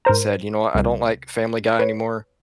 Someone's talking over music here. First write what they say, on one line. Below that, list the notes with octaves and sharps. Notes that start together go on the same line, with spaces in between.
said, "You know what? I don't like Family Guy anymore."
G#2 A#4 C5 A#5
C2
B4 C#5